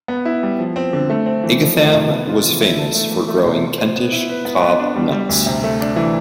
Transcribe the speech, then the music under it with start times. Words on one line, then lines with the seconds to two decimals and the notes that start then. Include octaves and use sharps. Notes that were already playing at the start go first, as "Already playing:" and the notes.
Ightham was famous for growing Kentish cob nuts.
0.08 B3
0.25 E4
0.43 G3
0.59 F3
0.76 C4
0.93 D3
1.10 A3
1.26 C4
1.43 E3
1.60 F3
1.77 A3
1.94 C3
2.10 B3
2.28 F4
2.44 E3
2.61 E4
2.78 A4
2.95 A3
3.11 E3
3.28 A3
3.45 C3
3.62 F4
3.78 C5
3.96 B3
4.12 E4
4.29 B4
4.45 B3
4.62 B3
4.79 D4
4.96 G3
5.12 G3
5.29 D2
5.46 C3
5.64 A3
5.81 D4
5.96 E3